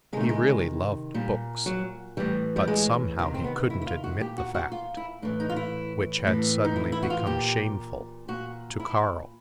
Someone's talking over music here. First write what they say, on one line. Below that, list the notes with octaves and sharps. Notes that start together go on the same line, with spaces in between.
He really loved books, but somehow he couldn't admit the fact, which had suddenly become shameful, to Carl.
C3 D#3 G#3 A3
G#3
A#2 G3
F#3
A2 E3 G3
G3
G#3
C3 D#3 F3
C4
B3
E4
E4
F4
F#4
A#2 G4
F#4
F#4
F4
E4
A2 E3 D4
D#4
F4
E4
A2 E3
D#4
E4
E4
F#4
F4
A#2 G4
A#2 F#4
E4